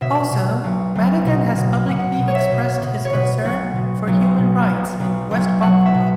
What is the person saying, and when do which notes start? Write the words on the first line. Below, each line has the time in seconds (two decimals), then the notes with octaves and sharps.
Also, Madigan has publicly expressed his concern for human rights in West Papua.
0.01 B2 E5
0.33 B2
0.64 B1
0.95 B1
1.26 B2
1.58 B2
1.88 B2 F#5
2.20 B2
2.28 C#5
2.35 E5
2.52 B2
2.82 B2
3.05 C#5
3.13 B2 B4
3.44 B1 F#4
3.76 B2
4.07 B1
4.38 B2
4.69 B1
5.00 B1
5.31 B1
5.62 B1 F#5
5.86 E5
5.94 B2